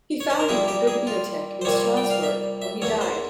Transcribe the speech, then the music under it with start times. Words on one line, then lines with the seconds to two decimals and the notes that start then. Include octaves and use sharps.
He founded the Bibliothek in Strasbourg, where he died.
0.20 C#5
0.30 C5
0.39 A#4
0.48 A#2 G3 A#3 E4 G#4
0.68 G4
0.87 G#4
1.07 F4
1.62 C5
1.65 C2 A#2 G3 A#3 C#5
1.97 G5
2.10 F5
2.23 E5
2.62 E5
2.82 E2 E3 A#3 C#5
3.01 C5